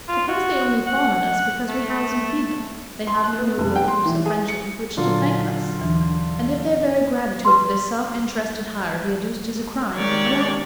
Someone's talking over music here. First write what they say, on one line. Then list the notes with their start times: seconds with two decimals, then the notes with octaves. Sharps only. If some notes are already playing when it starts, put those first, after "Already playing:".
Suppose they only fawn on us because we house and feed them, they have no nobler proofs of friendship with which to thank us; and if their very gratitude for this self-interested hire be adduced as a crime, alas!
0.08 F4
0.28 F#4
0.87 F#5
1.68 A3
3.07 C6
3.24 F#6
3.38 B3
3.58 F1
3.76 G5
3.88 C6
4.05 E3
4.25 G#4
4.48 C#7
4.97 A#2 D3 F#3 F4
5.79 D#2 E3 D4
7.45 B4 C6
9.95 D#3 G#3 G4 C#5 D5